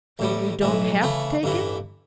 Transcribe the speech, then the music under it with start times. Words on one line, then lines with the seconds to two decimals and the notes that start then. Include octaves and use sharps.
So you don't have to take it.
0.19 A1 A2 G3
0.61 B1 A2 E3
1.02 C#3 E3 A3
1.43 A1 G2 E3